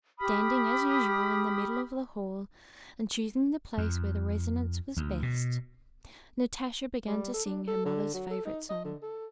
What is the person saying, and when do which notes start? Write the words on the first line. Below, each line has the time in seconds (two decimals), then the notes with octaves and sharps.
Standing as usual in the middle of the hall and choosing the place where the resonance was best, Natasha began to sing her mother's favorite song.
0.20 G4 B5 D#6 F6
3.78 F2
4.97 D2
5.23 B2
7.07 G3
7.34 A4
7.46 D4
7.67 A4
7.86 D3
8.14 F#3
8.31 A4
8.45 D#4
8.69 D#5
8.84 D3
9.02 A4